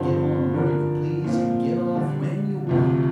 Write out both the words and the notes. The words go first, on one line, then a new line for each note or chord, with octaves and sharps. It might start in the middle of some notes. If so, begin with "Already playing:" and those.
Get on where you please and get off when you want.
Already playing: G2 D3 F3 C4
D3 F3 D4 A#4
A#2 F3 C4 F4
D3 G3 D4
D2 C3 F3